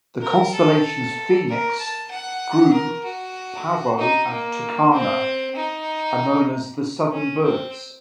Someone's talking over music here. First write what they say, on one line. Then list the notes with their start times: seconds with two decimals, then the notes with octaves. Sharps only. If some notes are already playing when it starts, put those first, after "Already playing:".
The constellations Phoenix, Grus, Pavo and Tucana, are known as the Southern Birds.
0.21 A#4
0.53 A4
1.47 A#4
1.79 A5
2.10 F#5
2.73 A#4
3.04 F#4
3.98 D#4
4.30 A#3
4.92 C4
5.55 D#4
7.11 C#4
7.43 C4